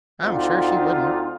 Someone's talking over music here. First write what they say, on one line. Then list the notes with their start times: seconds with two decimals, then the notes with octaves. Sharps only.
"I'm sure she wouldn't."
0.21 D2 C4 D#4 F4